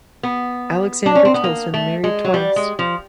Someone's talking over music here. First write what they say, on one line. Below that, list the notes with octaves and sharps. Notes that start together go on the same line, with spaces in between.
Alexandra Tillson married twice.
B3
D4
C#4
C4
B3
A#3
A3
G#3
F#3
G3
G#3
F3